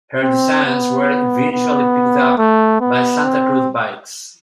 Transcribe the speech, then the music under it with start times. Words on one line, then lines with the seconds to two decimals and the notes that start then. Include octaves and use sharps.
Her designs were eventually picked up by Santa Cruz Bikes.
0.23 C4
0.66 B3
1.52 B3
2.38 A3
2.81 B3
3.24 C4